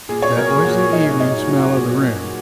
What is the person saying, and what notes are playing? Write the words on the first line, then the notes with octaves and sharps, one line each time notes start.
That was the evening smell of the room.
A#2 G#4
C#5
F#3 A#4
G#4
A#2 F#4
F#3 D#4
A#2 D#4
F#3
F#4
A#2
F#3